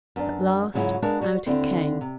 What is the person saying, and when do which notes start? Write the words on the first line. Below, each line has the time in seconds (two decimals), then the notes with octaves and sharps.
At last out it came.
0.16 F#2 B3 C#4 D4
0.74 G#2 C#3 F#3 G#3 E4 F4
1.02 G#3 B3 D4 F#4 A#4 F5
1.21 G3 F#4
1.46 D#2 D3 C4 E4
2.01 C3